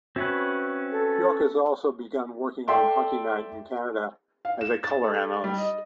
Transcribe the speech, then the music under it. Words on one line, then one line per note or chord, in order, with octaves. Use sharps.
York also has begun working on Hockey Night in Canada as a colour analyst.
C4 C#4 F#4 B4 E5
A4
A4 D5 E5 G5 C6
F5
E7
A6
A4
G3
D#5